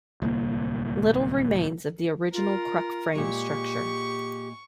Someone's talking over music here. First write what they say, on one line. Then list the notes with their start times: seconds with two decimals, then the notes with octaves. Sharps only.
Little remains of the original cruck frame structure.
0.22 D1 C2 A#3
2.33 F4 A#4
3.15 A#2 G#3 G4 C#6